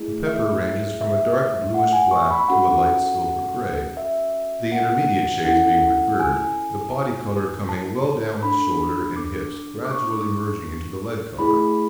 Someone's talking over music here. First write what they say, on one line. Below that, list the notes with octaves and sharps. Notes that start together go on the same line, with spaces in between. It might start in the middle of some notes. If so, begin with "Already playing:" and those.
The pepper ranges from a dark bluish black to a light silver grey, the intermediate shades being preferred, the body colour coming well down the shoulder and hips, gradually merging into the leg colour.
Already playing: A3 E4 G#4
E5
E5
F#5
G#5
C#6
B5
C#4 F#4 A4 F#5
E5
F#5
C#4 E4 A4 F#5
G#5
A5
D4 A4 B5
D6
D6
C#6
A3 E4 G#4 B5